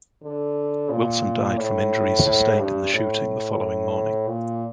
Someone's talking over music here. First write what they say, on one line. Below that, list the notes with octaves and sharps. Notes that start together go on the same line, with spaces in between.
Wilson died from injuries sustained in the shooting the following morning.
D3
A#2
A2
A2
G2
A2
A#2